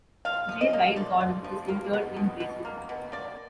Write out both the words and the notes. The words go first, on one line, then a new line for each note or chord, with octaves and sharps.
J. Wright Gordon is interred in Brazil.
F3 F5
F3
D#5
A#3
F3 D5
F3
F3
A#3
B2
B2
B2
A#3
B2
A#3 D5